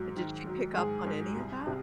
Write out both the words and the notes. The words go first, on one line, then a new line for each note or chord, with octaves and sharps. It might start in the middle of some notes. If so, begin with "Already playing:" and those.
Did she pick up on any of that
Already playing: G#2 F#3
D#3
F#3
G#2 G#4
G#2
C2
C3